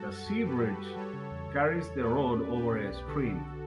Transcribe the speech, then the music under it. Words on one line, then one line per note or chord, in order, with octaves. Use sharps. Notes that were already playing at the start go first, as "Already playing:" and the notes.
The "Sea Bridge" carries the road over a stream.
Already playing: G3 F#4 A4
F#2
F#2
F#2 G4 B4
G3
G3
G3 A4 C#5
C#3
E2
E2
E2
E2
A3 B4 D5
A3
C#4
C#4 G4 B4
B2
B1
D3 F#4 A4
D3